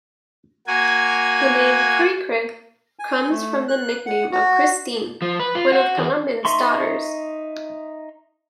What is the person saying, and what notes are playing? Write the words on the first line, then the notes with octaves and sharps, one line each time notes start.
The name "Cri-Cri" comes from the nickname of Christine, one of Colomban's daughters.
A#3 F#4 G#5
G#5
A3
F#6
F#5
F#4
F3
B4
F4
F#4
E2
D#4 E5 C6 C#6